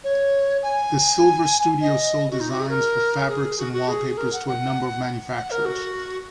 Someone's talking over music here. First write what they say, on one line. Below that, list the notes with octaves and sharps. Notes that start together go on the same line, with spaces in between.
The Silver Studio sold designs for fabrics and wallpapers to a number of manufacturers.
C#5
G#5
D#5
F#4
D#4
F#4
G#4
A#4
G#4
F#4
F#4
G#4
A#4
F#5
F#5
F#5
A#4
F#4